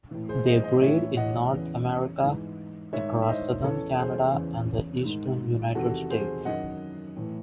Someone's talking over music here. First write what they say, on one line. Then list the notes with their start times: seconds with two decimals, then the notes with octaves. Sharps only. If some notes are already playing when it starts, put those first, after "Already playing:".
They breed in North America, across southern Canada and the eastern United States.
0.11 A2 E3
0.29 G#4 C5
0.46 C5 D#5
0.64 C5 D#5
0.82 A2 E3 C#5 E5
1.17 D#5 F#5
1.52 E2 C#3 E3
2.23 G#2 E3
2.93 G#2 D#3 C#5 E5
3.22 E5
3.28 C5 D#5
3.63 E2 C#3 E3 A4 C#5
3.99 G#4 C5
4.34 E2 C#3 E3
5.05 G#2 D#3
5.75 E2 C3 D#3 F#4 A4
6.10 G#4 C5
6.45 F#2 D#3 D#5 F#5
7.16 A2 E3